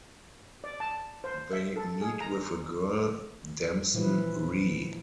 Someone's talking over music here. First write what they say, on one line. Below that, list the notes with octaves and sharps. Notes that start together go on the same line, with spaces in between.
They meet with a girl, Damson Rhee.
D5
A5
C5
E5
A4
G#4
A#5
A#2 E3 F3 E4 B4